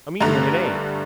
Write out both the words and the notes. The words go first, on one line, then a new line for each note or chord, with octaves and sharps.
"I mean when it ain't."
G2 D3 A3 A#5